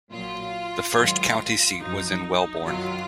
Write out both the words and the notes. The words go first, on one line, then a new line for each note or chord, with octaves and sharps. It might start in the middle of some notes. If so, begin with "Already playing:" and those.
The first county seat was in Wellborn.
A#2 F#3 F4
G#2 D#3 F#3
F#2 F3 D#4
D#4
D#4
F#2 D#3 F#3 F4